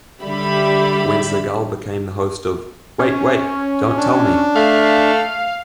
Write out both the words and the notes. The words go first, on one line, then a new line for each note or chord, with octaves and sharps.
When Sagal became the host of Wait Wait.. Don't Tell Me!
D3 G3 G4 E5 B5
C#4
D4
A3 F5